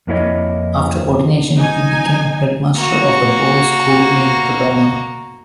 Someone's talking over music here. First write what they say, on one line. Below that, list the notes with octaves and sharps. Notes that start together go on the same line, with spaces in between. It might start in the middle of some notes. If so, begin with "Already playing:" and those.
After ordination he became headmaster of the Boys School in Dodoma.
F2 A#3 E4 F4 C#5 D#5
D#4 G#5
A#3 F#4